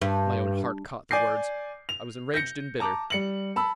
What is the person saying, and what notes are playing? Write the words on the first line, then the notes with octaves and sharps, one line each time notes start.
My own heart caught the words. I was enraged and bitter.
G2
D5 G#5 D6 G6 C7
F7
G6 A#6 C#7
A5 A#5 D6
G3 C#7 F#7
A5 B5 E6